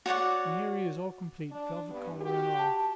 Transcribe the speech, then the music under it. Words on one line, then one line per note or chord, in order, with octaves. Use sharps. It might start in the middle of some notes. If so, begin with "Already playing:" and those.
And here he is all complete, velvet collar and all.
F#4 C#5 D5 F#5
D4
G2 B3
F#4 G4
A5